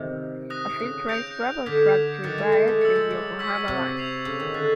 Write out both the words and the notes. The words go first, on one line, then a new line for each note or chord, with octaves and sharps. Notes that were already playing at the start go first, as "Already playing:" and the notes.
A few trains travel through to via the Yokohama Line.
Already playing: C3 D#3
D#6 F#6 A#6
C3
C#3
D#6 G6 A#6 D7 F7
D3 D6 F6 G#6 B6
D#3 D6 F#6 A6 C#7
A3
G#3
A3
G#3 E6 A6 C#7
G#3
F#3
C#6 E6 G#6 B6
C3
G#6 C7 F7
C#3
D#3
D3 F#6 A6 C7